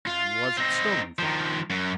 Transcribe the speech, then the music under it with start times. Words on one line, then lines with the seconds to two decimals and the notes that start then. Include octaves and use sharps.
"And was it stolen from you?"
0.07 F4
0.57 C4 D#4
1.19 D#3 F3
1.70 F#2